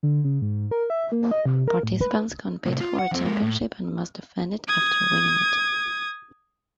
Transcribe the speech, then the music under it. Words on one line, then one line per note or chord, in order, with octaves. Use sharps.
Participants compete for a championship and must defend it after winning it.
D3
C#3
G#2
A#4
E5
A#3
D#5
C3
A#4
A2
B4
A2 C3
F4
F#5
F2 C4
G#3 A#3
A2
D#6 G#6